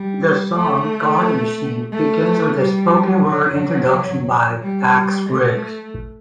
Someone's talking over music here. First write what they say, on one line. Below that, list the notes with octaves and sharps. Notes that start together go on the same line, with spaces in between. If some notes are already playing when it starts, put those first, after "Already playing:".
The song "God Machine" begins with a spoken word introduction by Dax Riggs.
Already playing: G3
A3
A3
G3
F#3
G3
A3